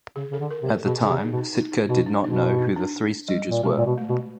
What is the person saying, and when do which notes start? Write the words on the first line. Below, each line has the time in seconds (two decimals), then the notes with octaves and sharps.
At the time, Sitka did not know who the Three Stooges were.
0.16 C#3 G#4
0.31 C#3 A4
0.39 D3
0.51 A#4
0.63 C3
0.68 A4
0.85 B2 G#4
1.02 C#3 G#4
1.09 C3
1.20 D#4
1.32 B2
1.37 D#4
1.55 D#4
1.72 D#4
1.89 B2 D#4
2.06 D4
2.24 B2 D#4
2.42 E4
2.59 D#4
2.76 D4
3.28 G3
3.50 A#2
3.63 B2 G#3
3.78 A#2
3.86 B2
3.98 A3
4.09 B2